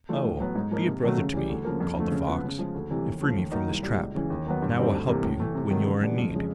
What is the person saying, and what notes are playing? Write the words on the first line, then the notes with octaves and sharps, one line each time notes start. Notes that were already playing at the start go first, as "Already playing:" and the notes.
'Oh! be a brother to me!' called the fox, 'and free me from this trap, and I will help you when you are in need.
E3 A3 D4 F4
A2
F#3 B3
G#2
F3 A#3 D#4
C3
D#3 F#3 A3
C#3
E3 G3
D2
C#3 F3 A#3
F2
D3 F3 A3
C#3
F3 G#3 B3
C#3
F3 G#3
D2
C3 E3 G3
D#2
C#3 F3 A3
D#2
D#3 F#3 A#3 D#4
C2
A#2 G3
C#2
C#3 E3
D#2
D#3 F#3 B3
G2
D3 G3 C4 D#4
D2
C3 E3 G3 A#3
A2
E3 A3
C3
D#3 F#3 A3
C#3
E3 G3 B3 D4
F2
C#3 F3 G#3